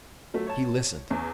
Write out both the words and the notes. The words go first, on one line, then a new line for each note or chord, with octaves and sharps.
He listened.
F#3 A3
C#5 A5
E2 C#4